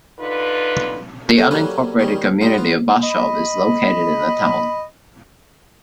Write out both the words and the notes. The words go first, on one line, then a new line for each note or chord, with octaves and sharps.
The unincorporated community of Bashaw is located in the town.
D3 D#4 F4 B4
A3 A4
F#3 G3 A#3 C#4 A4 B4
D#3 G3 C#4
G3 D#4 F4
B3 F4
D#5 B5